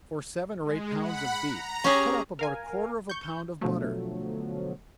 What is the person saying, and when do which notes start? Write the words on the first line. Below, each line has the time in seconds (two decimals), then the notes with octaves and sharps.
For seven or eight pounds of beef, cut up about a quarter of a pound of butter.
0.64 G#3
0.98 F#5 B5
1.45 A#5
1.84 C#4 G4 G#4
2.39 A#4 F5 G#5
3.09 C#6 G6
3.61 B2 D3 F3 F#3 A3